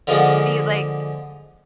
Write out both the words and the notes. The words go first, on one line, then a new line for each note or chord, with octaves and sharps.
see, like
D3 F3 G#3 A#3 D4 F#5